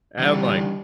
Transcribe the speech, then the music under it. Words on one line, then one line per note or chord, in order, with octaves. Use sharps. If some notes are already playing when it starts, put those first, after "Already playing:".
And, I'm like,
D3 E3 G3